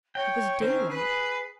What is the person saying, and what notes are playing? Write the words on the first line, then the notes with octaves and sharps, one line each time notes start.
It was daylight.
C#5 G5
D#3 C4 C#4 C5
G#4 B4